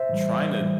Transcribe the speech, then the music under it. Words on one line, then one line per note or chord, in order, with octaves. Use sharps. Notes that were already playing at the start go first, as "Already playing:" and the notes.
trying to
Already playing: C5 E5
A2 E3 G3
A2 E3 G3